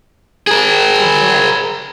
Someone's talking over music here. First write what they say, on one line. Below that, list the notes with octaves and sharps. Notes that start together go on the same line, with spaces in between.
Oh, sure.
G#4 A#4